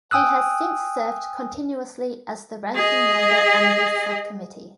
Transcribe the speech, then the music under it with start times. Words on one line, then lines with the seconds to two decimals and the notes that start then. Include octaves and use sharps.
He has since served continuously as the Ranking Member on this Subcommittee.
0.11 G5 G#5 D#6 E6 F#6
2.75 G#4 D#5